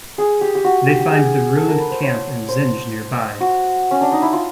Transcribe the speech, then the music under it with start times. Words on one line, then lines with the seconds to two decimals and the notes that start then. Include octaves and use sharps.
They find the ruined camp and Zinj nearby.
0.18 G#4
0.41 G4
0.55 G4
0.64 F#4
0.87 G4
1.00 G4
1.10 G#4
1.56 A4
1.68 A#4
1.80 B4
1.91 C5
2.02 C#5
2.48 C5
3.40 F#4
3.91 C#4
4.01 D4
4.12 D#4
4.22 E4
4.33 F4